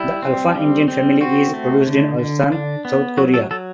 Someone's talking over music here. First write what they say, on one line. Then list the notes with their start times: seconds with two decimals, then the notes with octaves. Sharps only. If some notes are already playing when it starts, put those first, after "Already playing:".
The Alpha engine family is produced in Ulsan, South Korea.
Already playing: G3 E4
0.22 C4
0.56 G3
0.88 C4
1.21 C4 F#4
1.54 A3
1.87 D3
2.19 D3
2.52 D4
2.85 B3
3.17 F#3 F#4
3.34 A4
3.51 F#3 A4